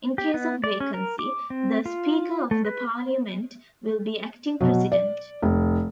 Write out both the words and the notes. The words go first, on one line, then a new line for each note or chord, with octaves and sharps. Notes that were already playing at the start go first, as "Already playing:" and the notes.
In case of vacancy, the Speaker of the Parliament will be acting President.
G4
B3
D5
C#4
A#4
D6
C4
F4
A3
B4
B2 F#3
D5
F1